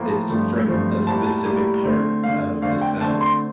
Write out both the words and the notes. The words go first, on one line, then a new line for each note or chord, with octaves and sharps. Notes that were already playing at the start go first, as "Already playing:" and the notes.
It's from a specific part of the South
Already playing: A2 F3 A#3
A5
G2 F3 A3 C4
G2 F3 A3 C4
A2 G3 A#3 A5
A5
A2 G3 A#3
D3 A3 C4
D3 A3 C4 F5
D3 A3 C4 F5
G5
D3 A3 C4 A5
C6